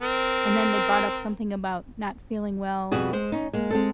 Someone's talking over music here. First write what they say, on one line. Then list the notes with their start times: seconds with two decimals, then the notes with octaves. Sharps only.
and then they brought up something about not feeling well
0.02 C4 A#4
2.91 F2 B2 G3 F#4 G#4
3.13 G#3 C5
3.32 C#4 D#4
3.53 G#3 A#3
3.70 G#3 C4 A4